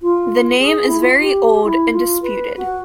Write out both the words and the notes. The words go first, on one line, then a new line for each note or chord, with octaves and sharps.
The name is very old and disputed.
F4
G#4
E4
F4
G4
E4
F4
B4
F#4